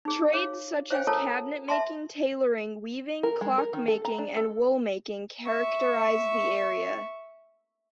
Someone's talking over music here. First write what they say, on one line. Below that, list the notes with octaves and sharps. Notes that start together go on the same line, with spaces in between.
Trades such as cabinet-making, tailoring, weaving, clock-making, and wool-making characterized the area.
D#4 G#4
G#4 C#5 F5
C5 C#5 F5 G5 G#5
F4 A4 A#4 C#5 A5 A#5
E5 A5 C6
A#4
G#3
A#4
D#3
A4
A#5
D4
A4
E5 C#6